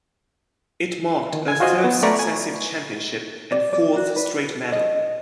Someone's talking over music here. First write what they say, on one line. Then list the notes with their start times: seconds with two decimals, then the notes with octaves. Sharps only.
It marked her third successive championship and fourth straight medal.
1.33 D#3
1.48 G#5 G#6
1.60 F4 F#4 C5 D#5 G#5
1.84 B3
2.03 A3 D5 A#5 B5 C#6
2.19 G#5
3.52 D5
3.73 D5
3.96 F#4
4.16 B4
4.72 D#5